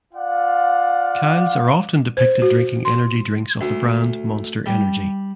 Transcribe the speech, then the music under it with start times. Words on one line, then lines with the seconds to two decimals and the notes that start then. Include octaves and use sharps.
Kyles are often depicted drinking energy drinks of the brand Monster Energy.
0.14 F4 D5 F5 F#5
2.17 C5
2.42 F#4
2.85 C6
3.61 D2
4.66 G3